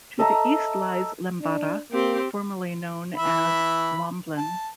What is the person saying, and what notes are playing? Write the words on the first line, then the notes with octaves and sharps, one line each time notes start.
To the east lies Lembata, formerly known as Lomblen.
A4 D#5 E5 A#5
D4
A#3 C4 G4
E3 E5 B5
A5